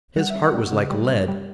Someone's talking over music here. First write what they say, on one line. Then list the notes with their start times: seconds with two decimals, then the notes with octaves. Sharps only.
His heart was like lead.
0.16 G3 F#5
0.30 C#3 E5
0.44 F#5
0.53 G3
0.72 C#3
0.90 G3
1.09 C#3
1.28 G3